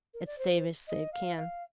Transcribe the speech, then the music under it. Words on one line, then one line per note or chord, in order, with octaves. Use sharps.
It's save as save can.
A#4
D5
C5
D#5
F5
F5